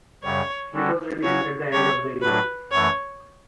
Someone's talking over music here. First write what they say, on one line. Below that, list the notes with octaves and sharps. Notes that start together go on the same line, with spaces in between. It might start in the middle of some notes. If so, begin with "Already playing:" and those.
He was released at the end of the year.
F#2 C#3 G3 C#5
D3 G3 C#4 F#4 A4
C#3 F#3 C#4 F#4 C#5
D3 G3 D4 G4 C#5
A2 F#3 A3 D4 B4
F#2 E3 A3 C#5